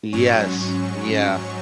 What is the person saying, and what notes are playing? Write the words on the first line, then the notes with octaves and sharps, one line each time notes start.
Yes. Yeah.
G#2 F#3 C#4 C#6